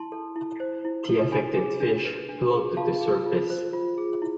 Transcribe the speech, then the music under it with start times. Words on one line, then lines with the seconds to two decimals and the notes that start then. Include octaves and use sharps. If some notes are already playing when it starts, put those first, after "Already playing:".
The affected fish float to the surface.
Already playing: E4 A5 C6
0.12 A4
0.36 E4
0.60 C5
0.85 E4
1.09 A4
1.32 D4 G#5 B5
1.57 G#4
1.80 D4
2.05 B4
2.29 D4
2.53 G#4
2.77 F4 F5 A5
3.01 G#4
3.26 F4
3.50 C5
3.73 F4
3.98 G#4
4.22 E4